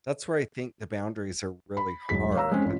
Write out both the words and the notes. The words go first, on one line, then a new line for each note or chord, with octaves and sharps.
that's where, I think, the boundaries are really hard,
B5
E1 B1 G#4 B6
C#5 F5 A#5 E6
G#3 C4 C#4
A1 F4